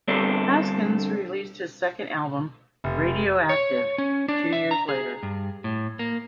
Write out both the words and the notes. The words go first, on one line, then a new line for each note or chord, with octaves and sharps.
Haskins released his second album, "Radio Active", two years later.
G2 D3 C4 D4
F1
C#5
C#4
D4
E5
A#5
G#4
G2
A2
A#3